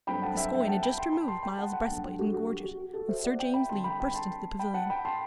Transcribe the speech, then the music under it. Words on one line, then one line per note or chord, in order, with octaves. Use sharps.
Gascoyne had just removed Myles's breastplate and gorget, when Sir James Lee burst into the pavilion.
G2 F#3 A3 C4 G5 B5
F#5 A5
E5 G5
E5 G5
F#5 A5
G5 B5
A5 C6
G5 B5
A5 C6
G5 B5
F#5 A5
F#5 A5
G5
G2 F#3 A3 D4 F#5 A5
F#4 A4
F#4
G4
F#4
F#4 A4
C5 E5
E5
D5 F#5
E5 G5
G5 B5
D3 G3 C4 A5 C6
G5 B5
G5 B5
A5 C6
G5 B5
F#5 A5
G5 B5
A5 C6